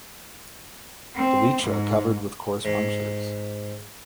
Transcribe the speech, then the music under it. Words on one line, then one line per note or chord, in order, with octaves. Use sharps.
Elytra covered with coarse punctures.
C4
G#2
G#2